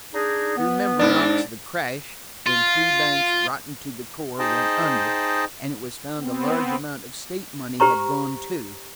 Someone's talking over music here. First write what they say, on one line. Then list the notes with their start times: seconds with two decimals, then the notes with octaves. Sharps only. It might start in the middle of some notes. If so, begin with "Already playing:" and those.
You remember, Knox, the crash, when three banks, rotten to the core, went under, and it was found a large amount of state money had gone too.
0.14 D4 D#4 G#4
0.57 B3
0.99 G#2 D4
2.46 F4
4.39 D#4 G#4 C5 D#5 G5 A5
6.19 B3 C4
7.80 G4 C5 A#5 C#6